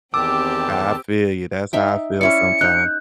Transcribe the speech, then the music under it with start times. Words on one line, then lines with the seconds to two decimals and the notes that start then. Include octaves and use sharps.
I feel you, that's how I feel sometimes.
0.14 E2 D#3 C4 G4 A5 D6 E6
1.73 D#4 E5 G5
2.21 C#4 E4 D5 C#7
2.61 D#4 F#6 G6